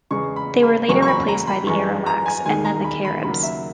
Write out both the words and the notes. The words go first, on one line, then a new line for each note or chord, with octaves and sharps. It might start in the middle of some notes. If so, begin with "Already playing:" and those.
They were later replaced by the Arawaks and then the Caribs.
E2 C#3 G#3 C#6
B5
B5
F#1 E2 C#3 F#3 A#3 C#6
C#6
B5
A#5
B5
F#2 E3 G#3 C#6
A#5
G#5
E1 D#2 D#3 G#3 G#5
A#5
B5
B5
D#2 C#3 F#3 A#3 B5
E5